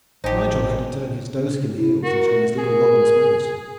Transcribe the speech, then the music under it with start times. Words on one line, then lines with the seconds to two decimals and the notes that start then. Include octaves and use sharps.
Nigel had to turn his doeskin heels and show his little golden spurs.
0.24 A1 D#4 G4 C5 G#5 A5
1.76 E4
2.03 F#4 A#4
2.35 A3
2.58 G#4 A#4